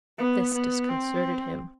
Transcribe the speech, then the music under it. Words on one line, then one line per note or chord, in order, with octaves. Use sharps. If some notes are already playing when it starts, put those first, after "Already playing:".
This disconcerted him.
B3
B3
C4